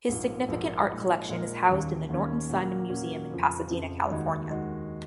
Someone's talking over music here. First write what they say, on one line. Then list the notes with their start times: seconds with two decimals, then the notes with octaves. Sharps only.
His significant art collection is housed in the Norton Simon Museum in Pasadena, California.
0.08 A#1 G#2 F3 A#3
0.48 A#1 G#2 F3 A#3
0.89 A#2 F3 G#3 D#4 A#4
1.29 A#2 F3 G#3 D#4 A#4
1.69 D#2 D#3 A#3 C#4
2.09 D#2 D#3 A#3 C#4
2.49 A#2 F#3 A#3 C#4
2.89 A#2 F#3 A#3 C#4
3.30 F2 C#3 F3
3.69 F2 C#3 F3
4.10 D#2 D#3 G#3 D#4 F#4
4.50 D#2 D#3 G#3 D#4 F#4